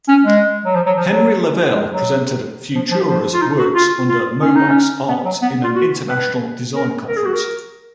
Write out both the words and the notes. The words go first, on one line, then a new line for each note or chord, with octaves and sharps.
Henry Lavelle presented Futura's works under Mo' Wax Arts in an international design conference.
C#4
G#3
F#3
F3
F#3
F3
F#3
G#3
F#3
F3
F3
F3
F4
D#4
F#4
F4
F4
C#4
D#4
C#4
B3
F#3
B3
F4
F#4
B4
A#4
A#4
G#4
F#4
A#4